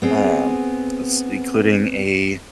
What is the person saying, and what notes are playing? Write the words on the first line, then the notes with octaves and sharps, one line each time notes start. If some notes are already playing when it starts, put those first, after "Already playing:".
um, s including a,
B3 C4 G#4